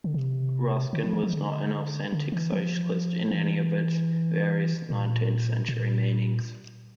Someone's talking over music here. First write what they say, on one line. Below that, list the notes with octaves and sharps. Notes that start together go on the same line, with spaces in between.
Ruskin was not an authentic Socialist in any of its various nineteenth-century meanings.
D3
C3
D3
F3
E3
F3
D3
D3
E3
F3
E3
A#2
A#2